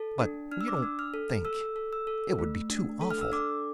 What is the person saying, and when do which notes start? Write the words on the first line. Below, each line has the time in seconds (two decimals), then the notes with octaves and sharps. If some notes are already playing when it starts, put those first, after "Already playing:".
"But you don't think--it would be too awful!"
Already playing: A4 A5
0.21 D4
0.52 D4 F6
0.61 E6
0.68 D6
0.77 E6
0.83 D4
0.99 F6
1.14 A4
1.45 A4 E6
1.76 A4
1.93 E6
2.07 A4
2.39 A3
2.70 D4
3.01 A4
3.11 F6
3.21 E6
3.32 D4 D6